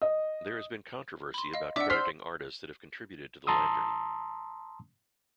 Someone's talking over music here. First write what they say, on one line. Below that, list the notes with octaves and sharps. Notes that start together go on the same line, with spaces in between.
There has been controversy about crediting artists that have contributed to the lantern.
D#5
B5 C6
D#5 F5
D4 E5 F#5 D6
C5 D5 E6 F6 B6 C7
A5 A#5 C6 D#6 E6